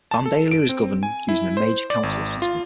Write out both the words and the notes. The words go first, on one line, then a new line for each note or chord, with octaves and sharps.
Vandalia is governed using the mayor council system.
A5
A4
D7
C4
G#5
E4
C5
D5
G#1
F4